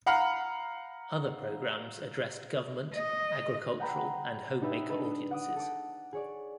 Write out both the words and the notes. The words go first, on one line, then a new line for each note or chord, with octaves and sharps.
Other programs addressed government, agricultural, and homemaker audiences.
F5 F#5 A#5 B5 F6
D#5
F#5 G5 A#5 B5
D4 D#4 G4 B4 E5
A4 B4 D#5
F#5 D6 D#6
A4 D6
G#4 C#5 D5